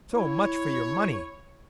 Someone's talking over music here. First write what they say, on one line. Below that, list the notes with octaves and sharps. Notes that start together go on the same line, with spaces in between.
So much for your money!
E4 C#5